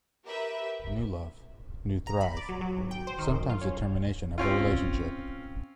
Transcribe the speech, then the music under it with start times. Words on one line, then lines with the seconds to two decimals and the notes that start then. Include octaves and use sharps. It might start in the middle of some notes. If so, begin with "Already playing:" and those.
New love, new thrive; sometimes determination of a relationship.
0.24 G4 A#4 B4 E5
2.07 A#5
2.21 B5
2.37 D5
2.49 F#3
2.61 F#3
2.77 G#1
2.91 G5
3.07 C5
3.18 D#3
3.31 F#2
3.49 F4
3.61 C#4
4.38 C4 C#4 F4